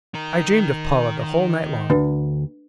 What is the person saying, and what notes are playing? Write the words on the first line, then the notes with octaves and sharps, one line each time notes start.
I dreamed of Paula the whole night long.
D#3 A#4
D2 D4 B4